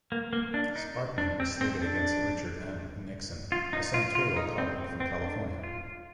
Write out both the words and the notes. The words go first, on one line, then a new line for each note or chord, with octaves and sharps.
Sparkman was slated against Richard M. Nixon, a senatorial colleague from California.
A#3
A#3
D4
D#4
D4
C4
C4
D4
F4
D#4
F4
F4
D#4
C4
C4
C4
D4
F4